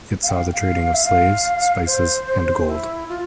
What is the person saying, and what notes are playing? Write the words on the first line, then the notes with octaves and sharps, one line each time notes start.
It saw the trading of slaves, spices, and gold.
F5
G5
F5
F5
E5
F5
C5
E4
F4